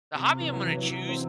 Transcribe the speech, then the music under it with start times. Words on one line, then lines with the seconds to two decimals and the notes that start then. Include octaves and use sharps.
the hobby I'm gonna choose
0.15 C3
0.40 E3
0.53 F#3
0.64 E3
0.77 F#3
0.88 E3
1.09 C4